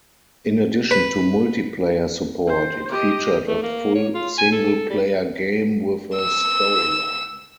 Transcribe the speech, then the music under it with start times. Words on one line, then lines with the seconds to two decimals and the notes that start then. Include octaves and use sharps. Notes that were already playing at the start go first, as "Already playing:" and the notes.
In addition to multiplayer support, it featured a full single-player game with a storyline.
0.91 B4
2.47 C5
2.90 G4 D#5
3.47 A3
3.63 A#3
3.95 C#5
4.15 F4
4.38 G#5
4.52 A4
4.90 G3
6.17 E6